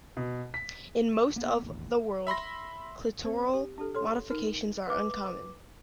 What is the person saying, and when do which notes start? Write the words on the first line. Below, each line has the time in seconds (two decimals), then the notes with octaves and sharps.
In most of the world, clitoral modifications are uncommon.
0.17 B2
0.54 B6
1.36 A#3 B3
1.62 E1 A1 D#2
2.27 E5 B5 C6 A#6
3.24 C4 C5
3.53 G4
3.78 D4 G4 A4
3.95 A4 C#5 C6
4.30 D#4 A#4
4.87 B4 D6